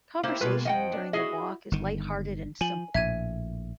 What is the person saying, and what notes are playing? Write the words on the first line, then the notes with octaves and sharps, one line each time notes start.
Conversation during the walk is light-hearted and simple.
A#3 E4 G4 C5
B2 G#3 A#3 F4 B4
F2 F3 D#5 F#5 G5
D4
E4 F#4 G#4 D#5
G1 D#3
F3 G#5 F#7
A#1 A2 E5 G#6 D#7